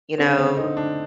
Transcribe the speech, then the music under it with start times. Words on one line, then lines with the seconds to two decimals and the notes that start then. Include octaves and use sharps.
you know,
0.18 D3 C4
0.38 C4
0.57 D3 D#4
0.77 D4